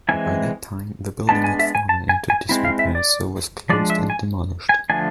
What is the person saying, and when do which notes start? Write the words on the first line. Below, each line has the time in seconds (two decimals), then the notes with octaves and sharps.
By that time the building had fallen into disrepair so was closed and demolished.
0.09 E3 G#3 C4 E4 G#5
1.29 G#3 B3 D4 A5
1.44 G#5
1.59 E5
1.75 G#5
1.89 A5
2.09 G#5
2.30 G#5
2.49 G#3 C4 E4
2.65 F5
2.79 E5
2.95 D5
3.69 F3 G#3 D4 D5
3.90 E5
4.10 G#5
4.69 G#5
4.90 D3 F3 A3 D4 G#5